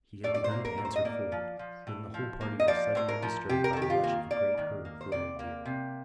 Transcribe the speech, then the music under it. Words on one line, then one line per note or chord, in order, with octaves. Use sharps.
He had begun to answer Ford, when the whole party were suddenly disturbed by the rush of a great herd of Royal deer.
A2 D5
D5
C5
A#3
A#4
A2
C5
D#5
A#3 D5
F3
F3
A2
F3
A#3
D#5
F3 D5
A2 C5
A#4
F3
C3 G4
A#4
A4
D#3
G4
F4
A#3
A#3 D5
D#3
A#3
C5
C3 D5
A#3
C3